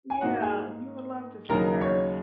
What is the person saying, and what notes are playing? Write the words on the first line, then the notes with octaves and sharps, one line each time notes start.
Yeah, you would love to see her,
G#5
G#2 D#3 A#3 D#4 F#4 F#5
G#4 G#5
D#2 C#3 F#3 D#4 A#4 A#5
C#5 C#6